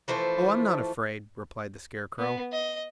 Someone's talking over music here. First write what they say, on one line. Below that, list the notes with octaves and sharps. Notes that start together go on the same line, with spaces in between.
"Oh, I'm not afraid," replied the Scarecrow.
E3 F3 A3 C5
B3
D#5